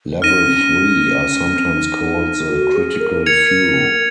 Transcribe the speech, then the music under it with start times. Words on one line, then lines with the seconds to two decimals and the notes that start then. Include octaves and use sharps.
Level Three are sometimes called the "critical few".
0.22 D#4 F6 A#6 D#7
0.34 C#4
0.45 C4
0.56 C#4
1.56 C4
1.66 C#4
1.75 D#4
2.50 F#4
2.75 G#4
3.00 A#4
3.26 A#4 G#6 C#7 F7